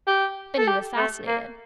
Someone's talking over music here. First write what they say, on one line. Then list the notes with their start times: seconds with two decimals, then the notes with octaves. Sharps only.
Benny was fascinated.
0.07 G4
0.58 A4
0.67 G4
0.97 A3
1.27 A#3